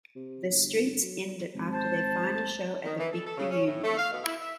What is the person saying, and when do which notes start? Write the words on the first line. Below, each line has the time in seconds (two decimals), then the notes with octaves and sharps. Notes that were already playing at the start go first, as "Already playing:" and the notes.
The Streets ended after their final show at The Big Reunion.
0.15 C3
0.48 G1
1.02 F#3
1.54 G#1
1.72 C5 A5
2.85 D#3
2.98 E3
3.13 A4
3.26 A4
3.38 C#3
3.51 C#4
3.66 A2
3.83 A3
3.97 F5
4.11 B2
4.24 E4
4.41 E5